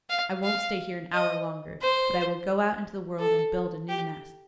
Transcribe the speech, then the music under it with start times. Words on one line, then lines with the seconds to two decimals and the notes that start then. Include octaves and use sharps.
I won't stay here an hour longer, but I will go out into the world and build a new nest.
0.10 F5
0.44 F5
1.13 D#5
1.82 C5
3.19 A4
3.89 G4